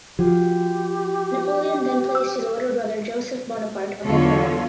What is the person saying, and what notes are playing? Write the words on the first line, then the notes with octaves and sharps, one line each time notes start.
Napoleon then placed his older brother Joseph Bonaparte on the throne.
F3 F#4 G4
E6
E2 D3 F#3 F4 A4 C#5